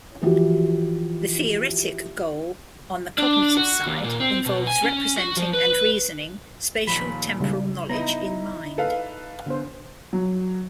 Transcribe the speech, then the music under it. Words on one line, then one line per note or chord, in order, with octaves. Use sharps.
The theoretic goal-on the cognitive side-involves representing and reasoning spatial-temporal knowledge in mind.
E3 F3 E4 F#4 G4
D4
F#4
D#2
A#2
C4
B2
G#5
C#4
F#4
F3
B4
D#2 A#2 F3 B5
C#3 G3 G#3
B3 D#4 E4 A#5
A4 B4 F5
D3 B3 C5
F#3